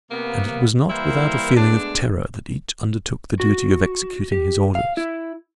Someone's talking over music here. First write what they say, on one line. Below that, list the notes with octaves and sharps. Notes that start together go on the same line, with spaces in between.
And it was not without a feeling of terror that each undertook the duty of executing his orders.
C3 A#3 B3
E3 G3 A#3 E4 A#4 C5
G#3 A3 B3 D4
F#4
G4
F5
E4